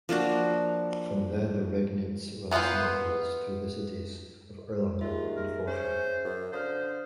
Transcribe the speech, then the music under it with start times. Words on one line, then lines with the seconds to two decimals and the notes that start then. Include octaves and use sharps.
From there the Regnitz runs northwards through the cities of Erlangen and Forchheim.
0.09 F3 A#3 D4 F#4
2.51 E3 B3 C4 F4 C5
5.01 D#2 F4 G#4 E5
5.36 A#4
5.67 C#4 C5
6.25 F#2
6.52 D3 C5 F5 D#6 F6